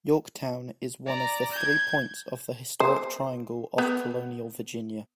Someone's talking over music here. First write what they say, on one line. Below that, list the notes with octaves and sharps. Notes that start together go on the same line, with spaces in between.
Yorktown is one of the three points of the Historic Triangle of Colonial Virginia.
D5 A#5
G6 G#6
C5
B3